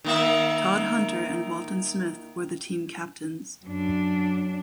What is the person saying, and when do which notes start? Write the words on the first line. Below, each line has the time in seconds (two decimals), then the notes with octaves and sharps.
Todd Hunter and Walton Smith were the team captains.
0.04 D#3 A#3 E5
3.65 F#2 D4